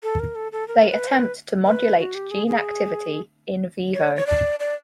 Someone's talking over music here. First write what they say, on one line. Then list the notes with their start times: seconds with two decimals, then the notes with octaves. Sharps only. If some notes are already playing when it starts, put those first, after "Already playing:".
They attempt to modulate gene activity "in vivo".
0.03 A4
0.20 A#4
0.35 A4
0.52 A4
0.68 A#4
0.80 A#4
0.90 B4
1.07 C5
1.12 B4
1.66 B4
1.99 F#4
2.15 G4
2.31 G#4
2.47 G#4
3.94 C#5
4.16 C#5
4.27 D5
4.60 D5